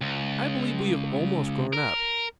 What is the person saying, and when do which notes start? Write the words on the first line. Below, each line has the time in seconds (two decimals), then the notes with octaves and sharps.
I believe we have almost grown up.
0.01 C#2
1.73 A#4